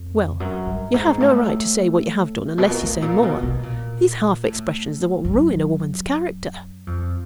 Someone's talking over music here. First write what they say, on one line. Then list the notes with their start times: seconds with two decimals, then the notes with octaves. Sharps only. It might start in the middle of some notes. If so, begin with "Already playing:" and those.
'Well! you have no right to say what you have done, unless you say more. These half-expressions are what ruin a woman's character.'
Already playing: F2
0.40 F#2
0.66 G2
0.94 G#2
1.20 A2
2.58 B2
2.70 A#2
2.82 A2
3.02 A#2
3.23 B2
3.43 B2
3.63 A#2
4.44 A2
5.25 F#2
6.87 F2